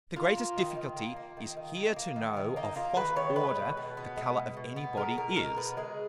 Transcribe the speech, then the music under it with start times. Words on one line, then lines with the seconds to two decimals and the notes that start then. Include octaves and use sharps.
The greatest difficulty is here to know of what Order the Colour of any Body is.
0.16 A#3 F4
0.37 A#3
0.56 D#3
0.77 D#3
0.96 A#3
1.16 A#3
1.37 D#3
1.57 D#3
1.77 A#3
1.96 A#3
2.16 D#3
2.37 D#3
2.56 A#3 D#4
2.76 A#3 F4
2.96 D#3 B4
3.16 D#3 C#5
3.36 G#3 B4
3.56 B2
3.77 B2
3.97 B3
4.16 G#3
4.37 B2
4.57 B2
4.76 B3
4.97 G#3 A#4
5.17 B2 A#4
5.36 B2 A#4
5.56 B3 B4
5.77 G#3 G#4